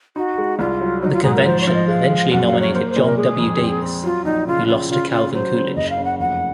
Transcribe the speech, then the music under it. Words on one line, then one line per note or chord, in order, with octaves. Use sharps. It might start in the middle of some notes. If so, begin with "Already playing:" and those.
The Convention eventually nominated John W. Davis, who lost to Calvin Coolidge.
D#4 F#4
G#3
C2 F4
F#3
F#3 D#4
F4
G#2 G#4
A#4
F3 C5
C#5
F3 F5
D#5
G#3 F5
G#3
F#2 F#5
F5
F#3
C#5
A#3 C5
C5
A#2
A#4
G#3 G#4
F2
C4
C4
F#3 F4
A#1 D#4
C#3 F4
C#3 F4
C#3 F4
C#3 F4
F#3 C5
C#3
F#1 D#5
F5
C#3
F#5
F1 F#5